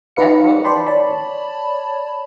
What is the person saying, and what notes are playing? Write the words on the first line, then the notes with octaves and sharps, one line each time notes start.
that's always something.
D#4 B4 F5 C#7
D5 G5 A5 B5 C6
C#5 D5 A5 B5